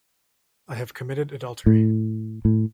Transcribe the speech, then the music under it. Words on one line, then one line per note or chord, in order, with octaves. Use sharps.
I have committed adultery.
A2
A2